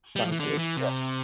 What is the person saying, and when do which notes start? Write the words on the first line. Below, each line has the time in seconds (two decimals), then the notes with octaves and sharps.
Sounds good, yes.
0.16 G3
0.24 F3
0.32 E3
0.40 D3
0.58 E3
0.77 C3